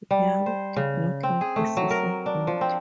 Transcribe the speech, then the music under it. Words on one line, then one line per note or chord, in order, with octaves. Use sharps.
Yung did not leave a suicide note.
G3
C5
C#3
C4
G#4
A3
F#3
A#4
D4
F3
C4